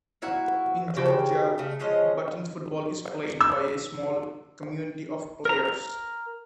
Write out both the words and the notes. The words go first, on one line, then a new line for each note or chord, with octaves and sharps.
In Georgia button football is played by a small community of players.
A#3 E4 F#4 F#5
C#3 F#4 G4 G5
C#3 A3
F3 G#3 C#4 D#5
E6
A#4 A#5